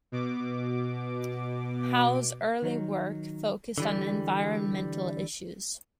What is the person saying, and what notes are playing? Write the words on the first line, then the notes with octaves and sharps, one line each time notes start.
Howe's early work focused on environmental issues.
B2 D6
D#3 F#3 D#4
D3 E3 G3